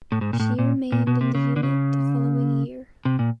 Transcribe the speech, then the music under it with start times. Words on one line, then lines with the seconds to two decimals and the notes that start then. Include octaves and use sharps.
She remained in the unit the following year.
0.12 A2
0.21 G#2
0.33 A#2
0.40 A2
0.59 A#2
0.92 A#2
1.07 B2
1.21 C3
1.35 C#3
1.56 D3
1.63 C#3
3.05 C3
3.19 A#2